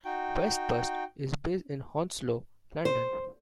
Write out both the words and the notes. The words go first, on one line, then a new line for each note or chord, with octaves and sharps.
Westbus is based in Hounslow, London.
D#4 F#4 G5
C5